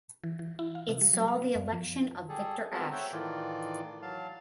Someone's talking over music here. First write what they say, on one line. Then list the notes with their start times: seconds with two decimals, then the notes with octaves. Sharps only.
It saw the election of Victor Ashe.
0.24 E3
0.39 E3
0.59 E4
0.75 F5
0.89 C3
1.01 G3
1.14 F#3
1.28 F5
1.42 B3
1.55 F#2
1.73 F3
2.29 G3 G#4 A4
2.73 G#3 B3 C4 F#4 A4 A#4
2.92 C5 C#5 E5 F#5 G5
3.12 A2 D#3 E3 F4 D5
4.02 F#3 F5 A5